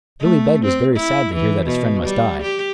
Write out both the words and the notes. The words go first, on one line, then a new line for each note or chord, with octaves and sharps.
Billy Beg was very sad to hear that his friend must die.
A3
C4
E4
E3
B2
G3
G4